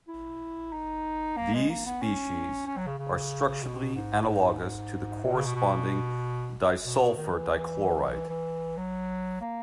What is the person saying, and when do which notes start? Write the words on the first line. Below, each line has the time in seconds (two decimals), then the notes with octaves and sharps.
These species are structurally analogous to the corresponding disulfur dichloride.
0.08 E4
0.73 D#4
1.37 A#3
1.54 G#3
1.69 A#3
1.86 B3
2.02 C#4
2.66 C#4
2.77 F#3
2.87 C#3
2.99 C#3
3.63 B2
3.95 G#2
4.60 G#2
5.24 A#2
5.34 C#3
5.45 B2
5.55 B2
6.84 B2
7.17 D#3
7.32 E3
8.13 E3
8.29 E3
8.77 F#3
9.41 A#3